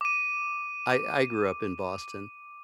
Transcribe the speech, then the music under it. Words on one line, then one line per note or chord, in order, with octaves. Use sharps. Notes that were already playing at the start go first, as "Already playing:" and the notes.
I I grew up in Boston.
D6 D#7